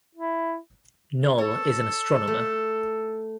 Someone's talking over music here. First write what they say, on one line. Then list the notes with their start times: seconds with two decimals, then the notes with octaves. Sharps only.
Noll is an astronomer.
0.15 E4
1.38 A4 C#5
2.27 A3